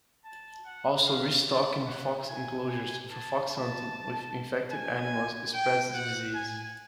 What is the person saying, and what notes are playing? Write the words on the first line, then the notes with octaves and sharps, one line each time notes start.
Also, restocking fox enclosures for fox hunting with infected animals spreads the disease.
A5
F#5
F5
D5
F#5
G#5
G#5
A5
A5
G#5
G5
F#5
G#5